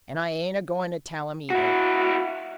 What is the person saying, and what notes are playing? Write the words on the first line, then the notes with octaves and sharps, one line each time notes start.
And I ain't a-goin' to tell him, either!
E4 F#4